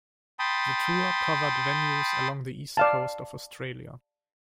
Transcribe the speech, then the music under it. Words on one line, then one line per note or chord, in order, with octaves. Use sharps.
The tour covered venues along the east coast of Australia.
G5 A5 B5 C6 D#6
D5 F5 A5